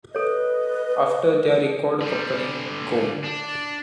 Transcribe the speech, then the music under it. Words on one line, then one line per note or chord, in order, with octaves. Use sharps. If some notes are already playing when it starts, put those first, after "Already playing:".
After their record company Go!
A4 B4 C#5 D#5
D3 G3
D4